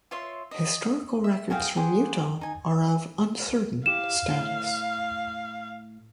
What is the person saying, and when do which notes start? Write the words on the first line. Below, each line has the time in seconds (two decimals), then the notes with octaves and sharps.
Historical records from Utah are of uncertain status.
0.11 F4 C#5 E5 C6
0.51 D#5
1.24 E5
1.50 F#4 G#4 F5 G5
1.77 G4 G#4 C5 F#5
2.41 D#4 G#5
3.86 E4 G4 F5 E7
4.30 A2 A3